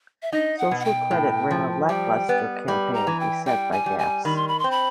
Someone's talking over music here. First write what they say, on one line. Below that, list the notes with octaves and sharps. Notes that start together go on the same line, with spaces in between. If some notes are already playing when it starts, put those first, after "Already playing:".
Social Credit ran a lackluster campaign beset by gaffes.
E5
D#4 D#5
F#5
B2
F#5
G5
A2
F3
G3 G5
B3
G3 B5
A#5
E3
G5
G3 G5
G#5
G3
G#5
D#3 B5
C6
B5
C4 C6
B5